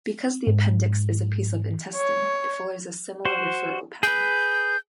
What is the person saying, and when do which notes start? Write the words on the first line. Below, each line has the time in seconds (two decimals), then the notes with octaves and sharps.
Because the appendix is a piece of intestine, it follows a similar referral pattern.
0.47 G#2
1.97 C#5
3.25 F#4 C5
4.03 G#4 B4 G6